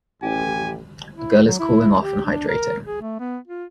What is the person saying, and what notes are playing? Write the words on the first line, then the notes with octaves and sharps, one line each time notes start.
A girl is cooling off and hydrating.
A1 G4 G#5
E4
F#3
E4
G4
D4
A#4
G#4
A3
B3
F4